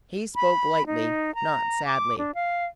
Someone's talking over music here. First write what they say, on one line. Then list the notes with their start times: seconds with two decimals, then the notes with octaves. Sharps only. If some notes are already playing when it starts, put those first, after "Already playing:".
He spoke lightly, not sadly.
0.36 B5
0.87 D#4
1.35 A#5
1.86 D6
2.18 D4
2.35 F5